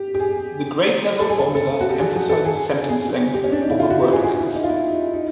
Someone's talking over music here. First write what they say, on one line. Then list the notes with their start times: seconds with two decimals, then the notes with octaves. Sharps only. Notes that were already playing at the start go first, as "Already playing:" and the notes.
The grade level formula emphasises sentence length over word length.
Already playing: G4
0.15 G4
0.20 G#4
1.20 A4
1.30 G#4
1.38 A4
1.55 A4
1.81 F#4
1.89 G4
2.00 G#4
2.15 G#4
2.29 A4
2.45 G#4
2.89 G#4
3.34 G4
3.44 C#4
3.52 D4
3.62 D#4
3.70 E4
3.79 F4
3.90 F#4
4.02 G4
4.13 G#4
4.24 G#4
4.40 E4
4.54 D#4
4.63 F4
4.69 E4
5.13 D#4